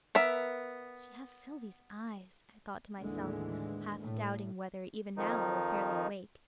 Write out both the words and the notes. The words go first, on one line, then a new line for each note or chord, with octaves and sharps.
"She has Sylvie's eyes!" I thought to myself, half-doubting whether, even now, I were fairly awake.
B3 A#4 E5
D#2 A2 D3 E3 G#3
A2
F2 D#3 F3 D#4